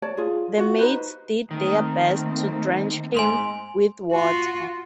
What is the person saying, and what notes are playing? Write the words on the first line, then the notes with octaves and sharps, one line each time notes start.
The maids did their best to drench him with water.
C#5 D5 A5
F4 G#4
F4 F#4
D#4 F4 B4 C5
D#3 A3 A#3 C4
G#2 G#5 C6 F7
F4 F#4